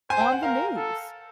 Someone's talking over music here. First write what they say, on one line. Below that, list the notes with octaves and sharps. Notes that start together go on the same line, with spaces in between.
on the news.
C5 G#5
G5
F#5
A#4 F5
A4